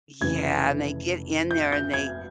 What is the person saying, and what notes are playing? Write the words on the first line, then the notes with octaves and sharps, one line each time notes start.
Yeah and they get in there and they
F1 F2 C#3 E3 G#6
G6
G6
G#6